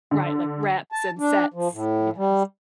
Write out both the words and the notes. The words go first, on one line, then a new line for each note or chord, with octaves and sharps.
Right, like, reps and sets, yes.
D3
A5
D4
F3
A2
G3